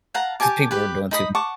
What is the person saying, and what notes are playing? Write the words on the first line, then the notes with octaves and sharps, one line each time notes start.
These people are doing too much.
F5 F#5 A5 A#5
G4 G#5 A5 D6
G4 B4
D#4 B5 D#6
F#5 A5 C#6 D6